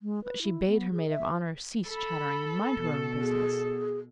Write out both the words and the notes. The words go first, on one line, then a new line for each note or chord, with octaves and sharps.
But she bade her maid of honour cease chattering and mind her own business.
G#3
B4
E4
B3
G#4
E5
A4 B5
B2
G#4